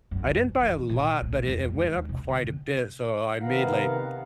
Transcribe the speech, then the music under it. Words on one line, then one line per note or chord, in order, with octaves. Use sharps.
I didn't buy a lot, but it it went up quite a bit, so I I made, like,
F#2
C#3
E3
A#2
D2
F2
G#3
D#2
C3
D3
C3 D#3 B3 F5 F#5 A#5